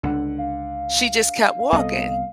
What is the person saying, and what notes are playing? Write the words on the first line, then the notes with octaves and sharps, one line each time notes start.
she just kept walking,
C#2 D3 F#5
F5
C2 B3 A4 D#5